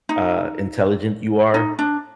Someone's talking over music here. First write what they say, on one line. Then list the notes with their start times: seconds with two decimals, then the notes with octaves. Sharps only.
uh, intelligent you are.
0.09 D#4
1.54 D#4
1.79 D4